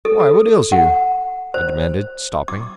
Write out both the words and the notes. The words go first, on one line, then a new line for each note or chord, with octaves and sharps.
"Why, what ails you?" I demanded, stopping.
A4
A4
F#5
C5
D6